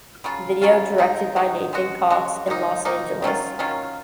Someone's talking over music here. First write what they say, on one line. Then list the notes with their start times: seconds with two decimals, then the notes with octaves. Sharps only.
Video directed by Nathan Cox in Los Angeles.
0.24 C#3 F#3 C#4 F4
0.62 C#3 F#3 C#4 F4
0.98 F#3 C4 D#4
1.36 F#3 C4 D#4
1.73 G#3 C#4 F#4
2.10 G#3 C#4 F#4
2.47 D#3 A#3 D#4
2.85 D#3 A#3 D#4
3.22 D#3 F#3 C#4 F4
3.59 D#3 F#3 C#4 F4